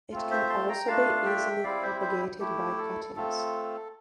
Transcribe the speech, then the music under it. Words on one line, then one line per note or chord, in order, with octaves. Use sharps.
It can also be easily propagated by cuttings.
A3 C4 F4
C5 E5
A5 C6
G5 A#5
A3 D4 F4 F5 A5
F5
E5 G5
G3 C4 E4 D5 F5
C5 E5
C5 E5
A3 E4 G4
A4
A3 C4 F4 A4